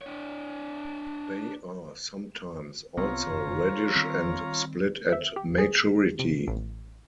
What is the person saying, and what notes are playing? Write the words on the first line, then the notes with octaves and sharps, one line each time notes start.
They are sometimes also reddish and split at maturity.
D4 C#5
C2 B3 C4 F4 C#5 A#5
F1 F#2 D#3
D#3 G3 C4
E5
G4
G#4
C3
A1